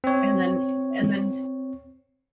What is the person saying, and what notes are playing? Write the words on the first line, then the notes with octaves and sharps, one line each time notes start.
And then and then
C4 C#5